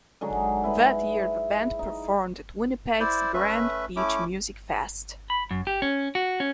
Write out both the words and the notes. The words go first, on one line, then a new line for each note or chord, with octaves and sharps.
That year the band performed at Winnipeg's Grand Beach Music Fest.
D3 F#3 G#3 D#4
E4 B4
D#4
E4 C5 D5
A3 C#4 B4 E5
A3 C#4 E4 D6
B5
F#2
G4
C#4
F#4
C#4